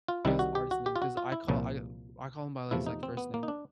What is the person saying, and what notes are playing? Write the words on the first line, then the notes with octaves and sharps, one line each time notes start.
with his artist name 'cause I call I I call him by his, like, first name.
F4
C2 C3 D#3 G3 E4
F#4
G4
F#4
G4
F4
F#4
F4
E4
C2 A#2 F3
E2 C3 F3 A3 E4
D#4
C4
B3
A#3
D#4
D4